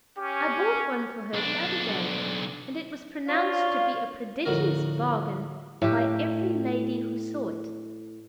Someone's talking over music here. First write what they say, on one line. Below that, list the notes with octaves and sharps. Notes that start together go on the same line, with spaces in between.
I bought one for her the other day, and it was pronounced to be a prodigious bargain by every lady who saw it.
C#4 G4
B1 D4
D4 F4 C#5 F5
F2 A2 D3 F#4 A#4
A2 G4